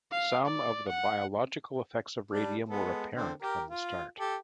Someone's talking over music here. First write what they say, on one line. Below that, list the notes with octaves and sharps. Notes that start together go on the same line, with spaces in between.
Some of the biological effects of radium were apparent from the start.
F5
D5
F#5
G3 D4
G#3 B3 A4
D3 C4
G4 A#4
F4
G4 A4